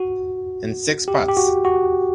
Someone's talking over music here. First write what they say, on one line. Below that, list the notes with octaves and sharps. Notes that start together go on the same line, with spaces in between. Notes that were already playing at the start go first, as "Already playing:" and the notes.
In Six Parts.
Already playing: F#4
G4
G4
F#4
F#4